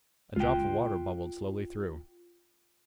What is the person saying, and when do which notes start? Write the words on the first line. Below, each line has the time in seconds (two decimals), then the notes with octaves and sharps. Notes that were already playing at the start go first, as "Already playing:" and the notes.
A drop of water bubbled slowly through.
0.36 C#2 F4 G5